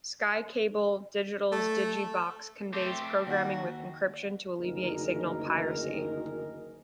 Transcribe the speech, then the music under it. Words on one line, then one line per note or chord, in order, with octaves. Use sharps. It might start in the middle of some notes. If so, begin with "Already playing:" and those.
SkyCable Digital's Digibox conveys programming with encryption to alleviate signal piracy.
A3
A3 C4 G4
D#2 F#4
F#1 D2 D#3 D#4 G#4 A#4